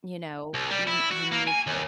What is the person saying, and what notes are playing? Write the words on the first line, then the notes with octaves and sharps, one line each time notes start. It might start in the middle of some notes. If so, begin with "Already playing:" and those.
You know? You you need to
C2
G3
E4
F#4
A#3
G#5
D#2